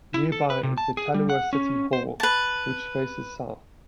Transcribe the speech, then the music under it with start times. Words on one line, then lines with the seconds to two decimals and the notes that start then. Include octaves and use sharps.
Nearby is the Tallulah City Hall, which faces south.
0.14 E4
0.32 A4
0.50 B4
0.63 C3
0.78 A5
0.97 G#4
1.14 G3
1.30 F#5
1.53 C#4
1.93 C5
2.20 B4 A5